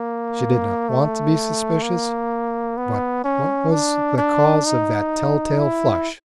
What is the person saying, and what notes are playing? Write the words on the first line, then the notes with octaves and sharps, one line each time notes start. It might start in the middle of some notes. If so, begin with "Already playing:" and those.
She did not want to be suspicious, but what was the cause of that tell-tale flush?
Already playing: A#3
A3
A#3
B3
C#4
D4
D4
D#4
E4